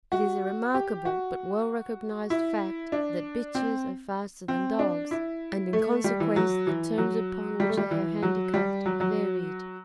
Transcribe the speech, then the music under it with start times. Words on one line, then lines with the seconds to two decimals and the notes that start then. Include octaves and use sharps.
It is a remarkable but well recognised fact that bitches are faster than dogs, and in consequence the terms upon which they are handicapped are varied.
0.12 F#4
0.74 G4
1.05 F#4
2.30 E4
2.92 D4
3.55 C4
4.48 C4
4.79 D4
5.11 E4
5.73 A3
6.04 G3
6.20 E3
6.36 F#3
6.67 E3
6.98 F#3
7.60 G3
7.69 A3
7.77 G3
7.91 E3
8.23 F#3
8.54 G3
8.86 F#3
9.01 F#3